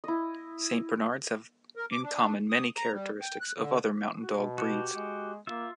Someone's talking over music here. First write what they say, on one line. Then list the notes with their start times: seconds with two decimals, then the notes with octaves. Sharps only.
Saint Bernards have in common many characteristics of other Mountain dog breeds.
0.04 E4 D#5
1.76 A#4
1.92 D6
2.04 D4
2.50 D#6
2.77 A#5
2.93 G3
3.22 G5
3.41 F#6
3.58 D3
4.22 F#4
4.36 B2
4.58 F#4 G4
4.94 G#3
5.47 A#3 F4 E5